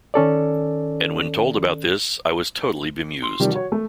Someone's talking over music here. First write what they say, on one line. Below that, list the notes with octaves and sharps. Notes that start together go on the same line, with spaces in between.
And when told about this I was totally bemused.
D#3 C#4 A4 D5
C6
C3 D#3 F3 G3
F#4 C#5
A3